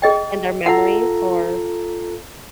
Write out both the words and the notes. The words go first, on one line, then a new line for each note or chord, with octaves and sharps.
their memories or
G#4 D#5 G5
F4 A4 F#5 A#5